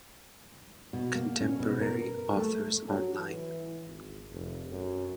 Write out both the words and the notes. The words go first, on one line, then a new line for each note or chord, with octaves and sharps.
"Contemporary Authors Online".
B2
A#3
C#4
B2
A#4
A3
F#3
E3
G#1
F1
F#2